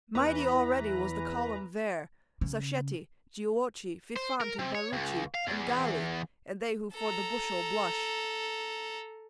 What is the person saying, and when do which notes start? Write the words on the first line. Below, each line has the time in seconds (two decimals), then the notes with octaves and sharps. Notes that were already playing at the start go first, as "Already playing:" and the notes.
Mighty already was the Column Vair, Sacchetti, Giuochi, Fifant, and Barucci, And Galli, and they who for the bushel blush.
0.15 E2 E3 B4 A#5
2.41 C#3
4.16 C5
4.41 A#4
4.59 C3
4.75 C#5
4.93 C#2
5.35 F5
5.47 E2
5.68 E2
6.95 A4 A#5